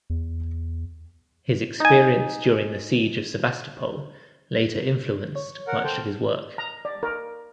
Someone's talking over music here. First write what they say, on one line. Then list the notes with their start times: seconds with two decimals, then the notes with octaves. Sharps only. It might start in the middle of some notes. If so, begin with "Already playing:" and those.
His experience during the siege of Sevastopol later influenced much of his work.
0.10 E2
1.80 D#4 G#5
5.36 C#5
5.67 A#4 F#5
5.84 A4 C5 G5
6.58 A#5
6.85 D5
7.03 A#4